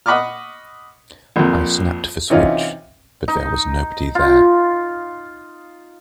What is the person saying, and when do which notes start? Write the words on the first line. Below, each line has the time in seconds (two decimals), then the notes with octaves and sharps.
I snapped the switch, but there was nobody there.
0.06 D#5 F#5 B5 C#6 D6 F6
1.36 A#1 F2
2.30 C3 E3 C#4 D#4 F4
3.28 D#4
4.15 F4